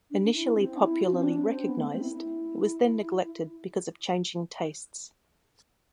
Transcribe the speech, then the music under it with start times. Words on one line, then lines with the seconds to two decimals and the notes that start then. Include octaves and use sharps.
Initially popularly recognised, he was then neglected because of changing tastes.
0.11 D4
0.22 D4
0.33 E4
0.56 C4
0.78 E4
1.01 F#4
1.13 C4
1.23 D4
1.46 C4
1.67 B3
1.79 A3
1.90 C4
2.01 E4
2.12 E4